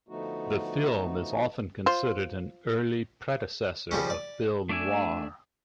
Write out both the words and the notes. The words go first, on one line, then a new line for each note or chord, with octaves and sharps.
The film is often considered an early predecessor of film noir.
D3 F3 A3 B3 D#4 F#4
F4 C5
C#3 F3 G3 C#4
D5
A3 D4 D5 E5 G#5